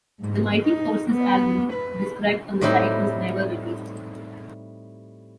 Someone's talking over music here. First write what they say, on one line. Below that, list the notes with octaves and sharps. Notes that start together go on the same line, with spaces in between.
The Mighty Forces album described on the site was never released.
G#2
D#4
B3
B4
A2 G3 C4 D#4 E4